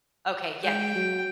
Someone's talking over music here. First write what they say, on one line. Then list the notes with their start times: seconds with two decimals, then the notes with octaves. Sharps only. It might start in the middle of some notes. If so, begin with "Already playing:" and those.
Okay, yay.
0.64 G#3 G5
0.95 F#3